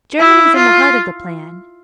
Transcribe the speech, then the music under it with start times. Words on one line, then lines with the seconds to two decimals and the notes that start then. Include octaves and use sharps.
'Germany's in the heart of the plan.
0.20 E4
0.56 F4